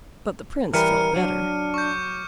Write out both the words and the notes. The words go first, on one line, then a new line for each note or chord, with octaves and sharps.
But the prince felt better.
E3 G3 A#4 B4 F6 C#7 D#7
F#3 D4
C#6 D6 G6